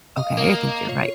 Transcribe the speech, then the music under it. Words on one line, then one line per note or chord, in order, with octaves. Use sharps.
"Okay, I think you're right."
D#5 F5 D#6
A#3
F4 C#5 C7